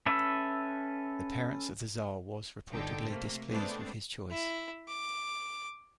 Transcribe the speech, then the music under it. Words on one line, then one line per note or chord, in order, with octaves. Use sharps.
The parent's of the tsar was reportedly displeased with his choice.
C#4 A4 B4 E5
G1 D3 D#4 G5 A5
C3 A3 A#3
G#3 A3 B3 C4 D4
E4
D6